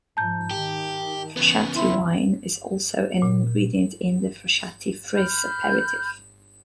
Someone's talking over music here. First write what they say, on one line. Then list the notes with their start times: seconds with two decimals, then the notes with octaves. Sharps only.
Frascati wine is also an ingredient in the Frascati Frizz aperitif.
0.17 G#2 F3 A5 A#5 G6
0.51 D#3 G4
1.37 C#3 E3 B3
1.76 E4 C6
3.22 A#2
5.14 B5 F6 G6